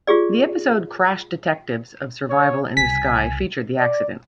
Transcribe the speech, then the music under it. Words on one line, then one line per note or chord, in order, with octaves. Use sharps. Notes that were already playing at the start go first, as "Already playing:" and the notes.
The episode "Crash Detectives" of Survival in the Sky featured the accident.
F4 G4 G#4 D5
C#5
C2 C#3 G#5 B6
D5